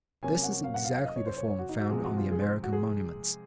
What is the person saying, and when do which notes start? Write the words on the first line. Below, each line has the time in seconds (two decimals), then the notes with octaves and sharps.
This is exactly the form found on the American monuments.
0.22 C3 F#3 A#3 C#4 G#5
0.43 F#5
0.64 F5
0.74 F#5
0.84 F5
0.95 F5
1.05 D#5
1.16 C#5
1.26 C5
1.37 C#5
1.48 C#5
1.59 F#4
1.69 D#4
1.79 F#4
1.89 C3 F3 G#3 G#4
2.04 F#4
2.17 F4
2.31 G#4
2.41 C5
2.63 F#4
2.73 G#4